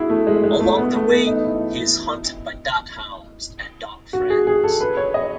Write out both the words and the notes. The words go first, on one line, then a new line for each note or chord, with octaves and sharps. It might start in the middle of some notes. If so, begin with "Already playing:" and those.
Along the way he is hunted by Darkhounds and Darkfriends.
Already playing: E4 F#4 G#4
A3
G#3
G#3
A3
B3
A3
B3
D#4
E4
F#4
G#4
G#4
A4
B4
C#5
D#5